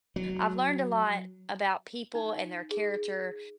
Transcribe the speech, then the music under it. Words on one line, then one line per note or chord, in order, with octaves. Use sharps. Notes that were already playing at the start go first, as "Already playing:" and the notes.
I've learned a lot about people and their character
F#3
D#4
G#4